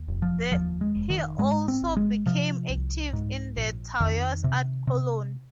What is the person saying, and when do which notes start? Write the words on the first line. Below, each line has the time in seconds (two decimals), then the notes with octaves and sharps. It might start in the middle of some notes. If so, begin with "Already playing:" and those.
He also became active in the Taos art colony.
Already playing: D#2
0.08 F1
0.22 F3
0.52 D#2 F3
0.81 G#3
0.95 F1
1.10 D#3
1.38 G#2 G#3
1.68 C4
1.82 G#1
1.97 G#3
2.26 C3 F3
2.70 C2
3.13 G#2
3.57 A#1
4.00 F2 D#3
4.44 C3
4.87 C3